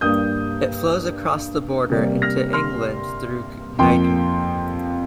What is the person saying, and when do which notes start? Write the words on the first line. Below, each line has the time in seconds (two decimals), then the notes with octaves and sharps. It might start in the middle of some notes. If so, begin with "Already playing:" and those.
It flows across the border into England through Knighton.
0.01 G2 G3 A#3 D#6 G6
1.90 C3 G3 A#3
2.22 F6 A#6
2.53 C6 F6
3.79 F2 F3 A#3 G5 C6